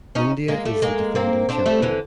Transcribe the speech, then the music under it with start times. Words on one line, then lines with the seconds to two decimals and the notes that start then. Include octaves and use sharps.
India is the defending champion.
0.15 C#4 D#4
0.48 G#3 A#3
0.65 G3 A3
0.82 G#3 A#3
1.15 A#3 C4
1.49 C4 D4
1.66 G3 A3
1.82 D3 E3